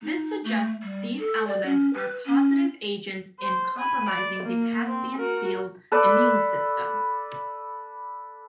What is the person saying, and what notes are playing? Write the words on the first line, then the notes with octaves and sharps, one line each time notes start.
This suggests these elements are causative agents in compromising the Caspian seal's immune system.
D#4
A3
G3
A4
D5
C#4
B4
C#4
C5
G#5 B5
D5
A#3
C4
F#4 A#4
A4 B4 D5